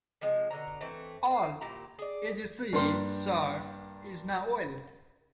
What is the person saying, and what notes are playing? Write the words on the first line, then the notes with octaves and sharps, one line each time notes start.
All, as you see, sir, is now well.
C3 F3 G#3
B2 D3 A#5
E3 A3 C4
F5
A#2 E4 G4 A#5
G#4 D5
G2 A#3 D4 A#4 G5 C6